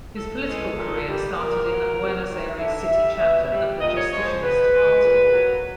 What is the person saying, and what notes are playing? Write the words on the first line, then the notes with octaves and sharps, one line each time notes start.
His political career started in the Buenos Aires City chapter of the Justicialist Party.
A2 A4
E3 G#3
A#2
G3
A#2 A#4
F#3
C3
D#3 F#3
D3 E5
G3
B2
G3
A#2 D#5
C#5
F3 G#3 C#5
C5
B2 B4
G#3
A#2
F#3